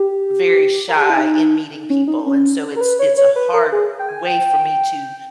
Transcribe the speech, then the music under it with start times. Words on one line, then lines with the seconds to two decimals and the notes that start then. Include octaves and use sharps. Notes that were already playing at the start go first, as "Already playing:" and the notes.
very shy in meeting people, and so it's it's a hard way for me to
Already playing: G4
0.89 A#4
0.96 G#4
1.03 G4
1.10 E4
1.17 D#4
1.90 C#4
2.08 D#4
2.27 C#4
2.76 A#4
2.81 B4
2.99 C#5
3.17 C#5
3.36 B4
3.53 A#4
3.72 G#4
3.99 G5
4.09 G#5
4.26 G5